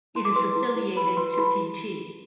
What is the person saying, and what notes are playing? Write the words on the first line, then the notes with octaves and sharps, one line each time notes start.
It is affiliated to Pt.
E4 C6
D6
B4 C6
E4
E4
B4 B5
B4 C6
E4 B5